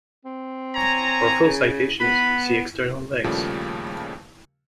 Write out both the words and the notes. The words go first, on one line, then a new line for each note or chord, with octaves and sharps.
For full citations, see external links.
C4
C#5 G#5 A#5
C#3
B3 B4 B5
D#2 A#2 C#3 F3 G3 A3